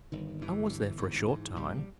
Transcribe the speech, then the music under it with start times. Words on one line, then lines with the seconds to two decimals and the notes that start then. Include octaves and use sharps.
"I was there for a short time."
0.12 G1 D#3
0.41 G2 E3
0.70 G1
0.99 G#2
1.28 G#2
1.56 A#1 G3